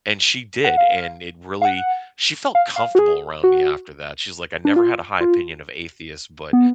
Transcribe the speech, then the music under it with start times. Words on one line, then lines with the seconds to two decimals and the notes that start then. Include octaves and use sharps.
and she did, and it really she felt comfortable around me after that, she's like, "I never had a high opinion of atheists, but,
0.64 F#5
0.77 F5
1.62 F5
1.65 F#5
2.55 F5
2.76 F5
2.95 F#4
2.99 G#4
3.44 F#4
4.65 D4
4.76 F4
5.21 F4
6.53 B3